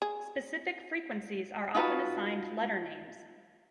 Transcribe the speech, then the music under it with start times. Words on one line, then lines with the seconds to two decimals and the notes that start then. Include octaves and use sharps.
Specific frequencies are often assigned letter names.
0.02 G#4
1.75 D#4 F4 F#4 B4